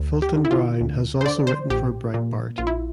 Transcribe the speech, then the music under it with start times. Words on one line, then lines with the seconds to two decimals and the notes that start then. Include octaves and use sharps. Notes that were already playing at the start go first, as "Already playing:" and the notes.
Fulton Brown has also written for "Breitbart".
Already playing: D2
0.22 G4
0.36 D3
0.45 E4
0.51 F4
0.81 D2
1.21 C5
1.25 D3 D5
1.47 C5
1.70 A#1 G4
2.14 A#2
2.58 A#1 F4
2.67 E4